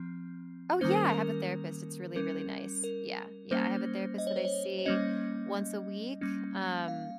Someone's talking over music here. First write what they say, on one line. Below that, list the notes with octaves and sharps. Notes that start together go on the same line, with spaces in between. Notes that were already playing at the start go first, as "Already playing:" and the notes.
Oh, yeah, I have a therapist, it's really, really nice. Yeah, yeah, I have a therapist that I see once a week, um,
Already playing: F3 C4
D#3 G3 A#3 C#4 C5
A#4
A#4
G3 C#4 A#4
A#4
G3 A#3 C#4 C5
D#5
C#5
C5
C#5
C#5
G3 A#3 C#4 D#5
G3 A#3 C#4
F5